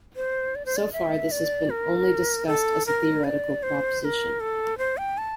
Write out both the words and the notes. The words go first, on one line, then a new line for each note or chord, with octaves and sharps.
So far this has been only discussed as a theoretical proposition.
C5
D5
C5
D5
E5
D5
A#4
A4
A#4
D5
C5
C5
A#4
A4
C5
G5
A5